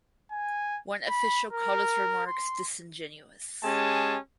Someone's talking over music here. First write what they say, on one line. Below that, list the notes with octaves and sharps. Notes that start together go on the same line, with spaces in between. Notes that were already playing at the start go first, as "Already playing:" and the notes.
One official called his remarks disingenuous.
G#5
B5
A#4
C6
G#3 C#4 G4 G#4 G#5 A5